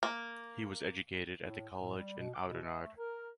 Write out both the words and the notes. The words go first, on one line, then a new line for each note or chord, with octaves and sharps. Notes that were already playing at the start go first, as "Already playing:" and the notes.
He was educated at the college in Oudenaarde.
A#3
A2
A2
G3
B2
D6
B2
D#5
A3
A#4